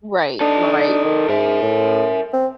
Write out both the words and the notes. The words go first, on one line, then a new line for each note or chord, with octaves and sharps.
Right. Right.
D4 D#4 A4
D#3
G#2 A#4 E5
A2
C4